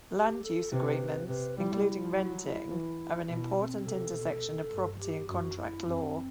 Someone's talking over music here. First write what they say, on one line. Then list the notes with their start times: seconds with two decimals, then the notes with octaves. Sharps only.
Land use agreements, including renting, are an important intersection of property and contract law.
0.15 G4
0.43 A4
0.72 C3 B4
1.28 C3 B4
1.57 G3 E4
2.15 F#3
2.42 E4
2.71 E3
3.29 B2 E4
3.57 C4
3.85 C3 A4
4.14 B2
4.71 G2
5.00 G4
5.28 F#2 F#4
5.57 E4
5.86 F#2 C4